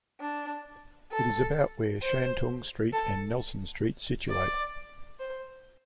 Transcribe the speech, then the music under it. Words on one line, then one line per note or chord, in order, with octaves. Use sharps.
It is about where Shantung Street and Nelson Street situate.
D4
A4
C5
A4
D5
C5